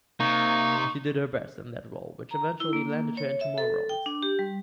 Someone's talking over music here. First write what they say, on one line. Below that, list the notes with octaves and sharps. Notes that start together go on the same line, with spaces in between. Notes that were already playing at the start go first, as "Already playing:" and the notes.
She did her best in that role which eventually landed her into more roles.
C3 A#3 D#4 C#6
A#5
E4
A#3
C#5
E5
A4
G5
D4
G4
G3